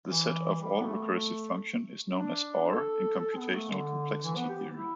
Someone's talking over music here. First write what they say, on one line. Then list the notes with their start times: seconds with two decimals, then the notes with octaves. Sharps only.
The set of all recursive functions is known as R in computational complexity theory.
0.08 E3
0.60 G3
0.79 B3
0.85 A3
2.16 D4
2.68 A4
3.19 A4
3.37 B3
3.54 A3
3.71 D3
4.24 E3
4.37 B3
4.49 G4
4.75 E4